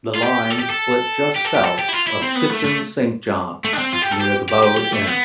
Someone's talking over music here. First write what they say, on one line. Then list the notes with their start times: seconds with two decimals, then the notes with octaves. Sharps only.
The line split just south of Tipton Saint John, near the Bowd Inn.
0.15 F4
0.22 G4
0.50 A4
0.60 G4
0.70 A4
1.36 G4
1.45 A4
1.55 G4
1.64 A4
1.79 G4
1.88 E4
1.93 F4
2.07 E4
2.22 C4
2.35 B3
2.50 A3
2.64 A3
3.65 A3
3.73 D4
3.78 C4
3.93 F4
4.02 G4
4.11 A4
4.21 G4
4.49 G4
4.64 G4
4.78 G4
4.93 A3
5.07 B3